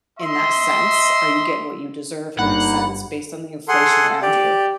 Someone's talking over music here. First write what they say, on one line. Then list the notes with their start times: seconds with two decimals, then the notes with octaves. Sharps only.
in that sense? Are you getting what you deserve in that sense based on the inflation around you?
0.18 D#5 E5 C6
2.39 G1 A#2 A#3 D#4 F#5 B5
3.68 G#4 A4 F#5 C6
4.22 G4 D5